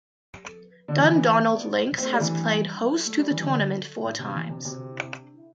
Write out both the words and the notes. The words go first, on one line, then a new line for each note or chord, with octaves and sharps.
Dundonald Links has played host to the tournament four times.
D3
E3
C4
A3
G3
E3
A3
G3
E3
D3
A2
C3
E3
C3
C3